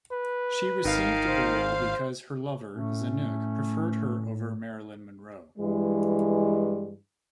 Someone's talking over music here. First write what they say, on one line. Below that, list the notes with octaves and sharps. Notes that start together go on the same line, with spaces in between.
She received the role because her lover, Zanuck, preferred her over Marilyn Monroe.
B4
G#1 D#3 F5
C5
A2 A3 C#4
G2 E3 G#3